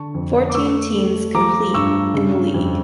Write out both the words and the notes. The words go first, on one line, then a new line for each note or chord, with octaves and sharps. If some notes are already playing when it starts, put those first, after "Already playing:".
Fourteen teams complete in the league.
Already playing: D3 A5 C#6
F2
D6
A3 C#6 E6
A3
F3 A#5 D6
G2 C#6 E6
C#3
F2